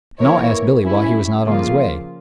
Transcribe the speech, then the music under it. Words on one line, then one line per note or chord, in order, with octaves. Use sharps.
And all asked Billy why he was not on his way.
E3 A#3 E4 A#4 C#5
G3 C#4 E4
C#3 F3 A#3 F4